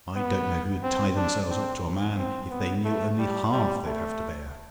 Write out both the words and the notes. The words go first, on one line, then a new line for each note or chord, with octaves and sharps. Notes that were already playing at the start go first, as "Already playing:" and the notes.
I don't know who'd tie themselves up to a man, if they knew only half they'd have to bear.
B3
C4
D4
C4
C4
B3
A3
G3
G3
A3